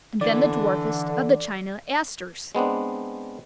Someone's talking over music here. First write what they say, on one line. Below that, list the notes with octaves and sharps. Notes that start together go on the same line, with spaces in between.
And then the dwarfest of the China Asters.
D3 E3 D5
G#3 B3 C4 D4